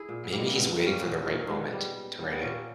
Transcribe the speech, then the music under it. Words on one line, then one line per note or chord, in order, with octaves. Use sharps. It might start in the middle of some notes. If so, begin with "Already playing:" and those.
Maybe he's waiting for the right moment to write it.
Already playing: E4 G#4
A#2
B3
G3 A#3
G#3
G3 A#3
A#2 G#3 B3
G3
A#3 C#4
A#2 B3
A#3 C#4
A#2
D#4
C#4
G3 G#3 B3
G3
G3
G3
B3
A#2 A#3 C#4